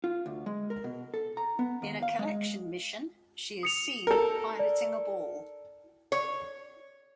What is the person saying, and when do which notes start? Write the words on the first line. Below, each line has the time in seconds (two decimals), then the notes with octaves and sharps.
In a collection mission she is seen piloting a ball.
0.04 F4
0.26 D2
0.46 G#3
0.70 A#4
0.84 B2
1.14 A4
1.37 A#5
1.59 B3
1.82 D#2
2.03 F5
2.19 G#3
3.63 D#6 C#7 F7
4.07 A4 A#4
4.59 D5
6.12 C#5